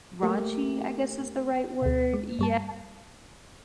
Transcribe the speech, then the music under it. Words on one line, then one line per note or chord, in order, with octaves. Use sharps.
raunchy, I guess is the right word? Yeah,
A3 A#3 G4 A#4
D2 B2
G#3
G2 G3 A5